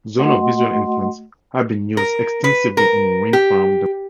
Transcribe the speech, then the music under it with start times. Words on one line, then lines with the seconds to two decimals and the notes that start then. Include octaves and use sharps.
Zones of visual influence have been used extensively in wind farm development.
0.18 A3 F#4 D#5 F#5 C6
1.97 A#4
2.44 B4
2.77 A#4
3.33 G4